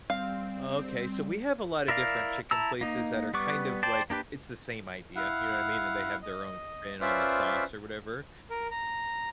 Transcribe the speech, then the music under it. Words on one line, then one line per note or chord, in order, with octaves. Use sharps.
Okay. So we have a lot of different chicken places that are, kind of, like it's the same idea, you know what I mean, and they have their own spin on the sauce or whatever,
G3 C4 F5
E4 A#4 D5 F5
E4 A5 A#5 E6
A#3 D#4
G3 B3 B4 C#6 D6
C5 D5 G5 A5
A#3 D4 G4 B4
E4 F5 F#5
D#5
C#4 F4 B4 C5 D5 E5
A#4
A#5